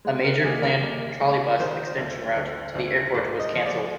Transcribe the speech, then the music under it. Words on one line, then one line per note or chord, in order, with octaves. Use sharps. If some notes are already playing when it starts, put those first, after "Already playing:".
A major planned Trolleybus extension route to the airport was cancelled.
G#3
A#4
D#2 G#4
A#4
D#2
G#3
D#3 C5
D2
D2
D2
G#2 D5
D#5
F3
D5